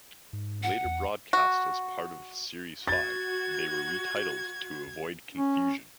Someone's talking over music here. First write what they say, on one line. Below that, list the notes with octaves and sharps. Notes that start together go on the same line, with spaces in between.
Later broadcast as part of series five, they were re-titled to avoid confusion.
G#2
F#5
E2
F#4
F#4 G#6 A6
C#4